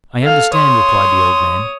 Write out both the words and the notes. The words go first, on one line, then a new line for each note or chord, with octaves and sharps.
"I understand," replied the old man.
A4 F5
C#5 C6 D#6